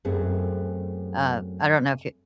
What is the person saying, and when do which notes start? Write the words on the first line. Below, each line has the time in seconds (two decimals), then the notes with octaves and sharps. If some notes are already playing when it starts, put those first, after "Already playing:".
Uh, I don't know if you
0.05 F#2 A3 C4 G#4